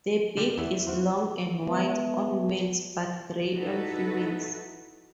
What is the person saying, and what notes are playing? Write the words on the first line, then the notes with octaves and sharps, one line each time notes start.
The beak is long and white on males but grey on females.
D3 G3 G4
E2 E3 E4
C4 F4 F#4
G#3 B3 B4 E5 A5
D#4 E4 F#4 A4 B4